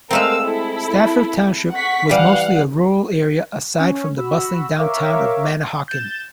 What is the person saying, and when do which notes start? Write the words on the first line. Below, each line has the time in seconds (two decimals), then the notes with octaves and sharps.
Stafford Township was mostly a rural area, aside from the bustling downtown of Manahawkin.
0.11 G#3 A3 C4 A#4 F5 E6
0.44 E4 A4
1.73 F#5 C#6 B6
2.09 E3 G3 F5 F#5
3.80 C#4
4.17 F#4 B5 E6
4.78 A#4 C#5 E5 F5 D6
5.88 G6 A6 E7